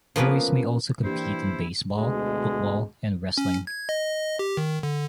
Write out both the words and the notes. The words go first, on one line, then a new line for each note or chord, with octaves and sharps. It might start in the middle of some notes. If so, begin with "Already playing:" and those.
Boys may also compete in baseball, football, and wrestling.
F3 A#3 B3 C#4 A#4 B4
E3 A#3 D4 E4 G4 C5
D2 B2 G#3
C#4
G#6
D#5
G4
D#3
D3